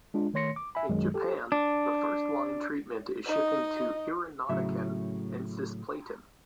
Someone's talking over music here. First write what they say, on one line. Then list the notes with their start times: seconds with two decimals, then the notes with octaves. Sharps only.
In Japan, the first line treatment is shifting to irinotecan and cisplatin.
0.14 G#3 D4 F4
0.34 D#3 A3 C#5 C6 A#6 C#7
0.56 D6
0.75 E5 G#5 B5
0.89 B1 F#2 D#3 F#3 G#3
1.14 G4 A4
1.52 D4
3.25 D#4 D#5
4.50 A2 C#3 F#3 E5